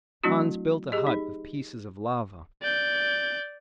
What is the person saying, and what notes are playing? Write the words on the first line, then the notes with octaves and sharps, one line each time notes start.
Hans built a hut of pieces of lava.
F#3 A3 C4 D4 E4 F#4
G4 G#4 D#5
D#4
D5 G6